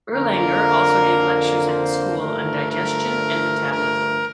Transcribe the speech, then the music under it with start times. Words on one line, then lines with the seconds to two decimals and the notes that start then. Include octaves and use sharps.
Erlanger also gave lectures at the school on digestion and metabolism.
0.12 F2 D3 F3 A#3 A#4
1.66 C5
2.18 G2 D3 F3 A3 A#4
2.70 A#4
3.72 A#4